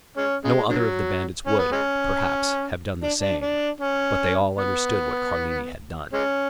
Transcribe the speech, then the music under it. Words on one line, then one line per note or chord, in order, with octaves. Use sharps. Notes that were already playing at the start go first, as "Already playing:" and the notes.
No other of the bandits would, perhaps, have done the same; but they all understood what Carlini had done.
G#3 C#4
C#3 G#3
D3 F#3
C#4
B3
G#3 C#4
D4
D4
D4
C#4
B3
G#3 C#4